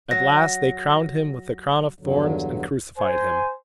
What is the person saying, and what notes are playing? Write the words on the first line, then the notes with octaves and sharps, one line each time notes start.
At last they crowned Him with the crown of thorns and crucified Him.
F#3 A#6
E2 G2 D3 F#3
C5 G#5